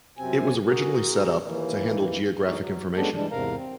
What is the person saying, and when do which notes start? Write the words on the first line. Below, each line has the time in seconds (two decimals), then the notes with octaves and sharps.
It was originally set up to handle geographic information.
0.18 F#2 C3 C4 G#5
0.67 F#4 G#4 A#4
1.45 D#2 E3 A#3
2.46 E3 A3 D#4 F#4 G#4 D5
2.61 F#3
2.96 G#3 B3 C#4 D4 G4 A4
3.15 E3 G3 G#3 D4
3.31 E2 G#2 C3 A#4 F5 A#5
3.55 C4